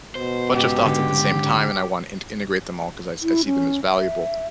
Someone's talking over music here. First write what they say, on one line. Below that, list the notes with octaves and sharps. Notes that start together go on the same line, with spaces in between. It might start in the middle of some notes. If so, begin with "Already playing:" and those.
bunch of thoughts at the same time, and I want to inte integrate them all because I I see them as valuable.
B2 C5
G#2 C#3 G4
D3
E4
C#4
E5